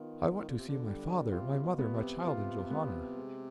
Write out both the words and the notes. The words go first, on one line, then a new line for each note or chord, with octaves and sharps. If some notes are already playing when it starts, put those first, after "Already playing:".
I want to see my father, my mother, my child, in Johanna.
Already playing: D#3 B3 F4
D#3 F4
D3
C3
D3
G3
C3 F4
C3
B2
B3
C3
F4
B3
G#3